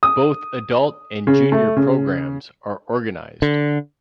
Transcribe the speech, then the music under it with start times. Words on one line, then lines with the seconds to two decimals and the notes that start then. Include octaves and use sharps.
Both adult and junior programmes are organized.
0.03 D#6
1.27 C#3
1.52 A3
1.76 C#3
3.42 D3